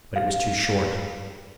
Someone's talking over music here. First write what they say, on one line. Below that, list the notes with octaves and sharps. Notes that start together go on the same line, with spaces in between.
But it was too short.
F5